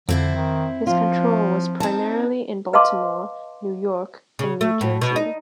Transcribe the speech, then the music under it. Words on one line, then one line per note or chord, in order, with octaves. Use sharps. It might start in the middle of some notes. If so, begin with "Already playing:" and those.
His control was primarily in Baltimore, New York, and New Jersey.
F2 D3 C4 E4 C5
D#3
F3 F4
C4 D#4 A5
B4 D#5 F5 A5 C6 D6
C#3
A3
A2
B2
D#4